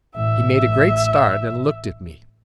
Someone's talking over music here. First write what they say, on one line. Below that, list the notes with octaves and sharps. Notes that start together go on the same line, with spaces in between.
He made a great start and looked at me.
A1 E5